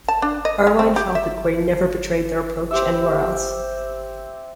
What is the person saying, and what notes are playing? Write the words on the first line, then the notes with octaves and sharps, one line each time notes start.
Erlewine felt that Queen "never bettered their approach anywhere else".
A5
D4
D#5
G#3
C4
G4
E5
C4 G4 E5